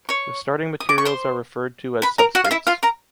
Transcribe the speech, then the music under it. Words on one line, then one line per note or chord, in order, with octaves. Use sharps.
The starting materials are referred to as substrates.
C#5 C#6
D#6
D6
C#6
C5 C6
B4 B5
A#4 A#5
F#4 F#5
F5
E4 E5
F4 F5
A#4 A#5